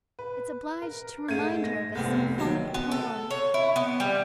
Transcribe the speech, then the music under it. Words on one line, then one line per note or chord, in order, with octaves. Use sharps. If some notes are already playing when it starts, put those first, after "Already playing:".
It's obliged to remind her of a symphonic poem.
B4
A#4
G#2 A3 G#6 D#7
A#6
F1 C2 A3 B3 C4
D#2 B2 F#3 A5
B3
A4
C#5
E4
B3
G3